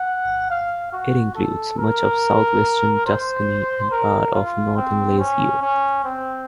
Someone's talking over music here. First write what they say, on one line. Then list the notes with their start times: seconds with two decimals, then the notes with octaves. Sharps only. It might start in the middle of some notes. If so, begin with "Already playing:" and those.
It includes much of south-western Tuscany and part of northern Lazio.
Already playing: F#5
0.50 F5
0.93 F#4
1.35 A4
1.78 A#4
3.06 C5
3.92 A#4
4.34 F4
4.77 C4
5.19 C#4
5.62 C#4
6.04 C4